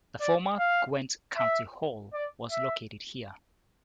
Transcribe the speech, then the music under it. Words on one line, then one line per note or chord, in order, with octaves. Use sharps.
The former Gwent County Hall was located here.
D5
F5
E5
D5
E5